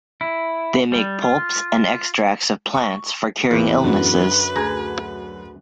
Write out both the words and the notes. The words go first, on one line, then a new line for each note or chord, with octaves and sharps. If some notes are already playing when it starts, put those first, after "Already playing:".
They make pulps and extracts of plants for curing illnesses.
E4
G3
F4
C#6
E2 A2 B4
F#2 D3
D2 G#4 A#5